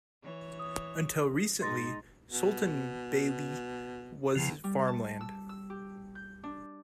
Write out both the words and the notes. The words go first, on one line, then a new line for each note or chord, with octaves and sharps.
Until recently Sultanbeyli was farmland.
E3 C#5
D#6
G#2 G#3 D#4 C6 A6 A#6
B2
E2 C#3 F3
G3
A5
E6
E6
G4
G6
D4